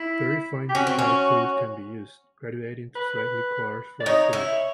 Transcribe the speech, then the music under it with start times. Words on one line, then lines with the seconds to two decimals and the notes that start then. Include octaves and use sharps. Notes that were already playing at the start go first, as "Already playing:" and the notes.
Very fine fry food can be used, graduating to slightly coarse fry food.
Already playing: E4
0.69 G4
0.75 C#4 F#4
0.87 C4
0.99 C#4
2.96 B4
4.00 D5
4.06 D#4 C#5
4.33 E4